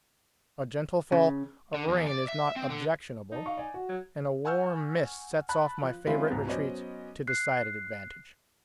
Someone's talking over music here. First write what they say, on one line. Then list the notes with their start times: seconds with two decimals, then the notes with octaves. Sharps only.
A gentle fall of rain is not objectionable, and a warm mist sets off my favourite retreats to decided advantage.
1.12 C#3
1.74 D3
1.88 E2
2.07 D5
2.28 E5
2.56 C4
2.70 D3
3.32 D#4 D5 A5
3.46 F5 C#6
3.58 D5 G#5
3.74 F#4
3.89 F#3
4.45 F#5 G#5 C#6 E6 F6 G6
5.49 A5 B5 F#6
5.82 F3
6.07 F3 G#3 C4 C#4 E4 F4
6.31 C#2 G#2 B2
6.47 F#3 B3 C#4 C5 D5 D#5
7.27 F#6 C7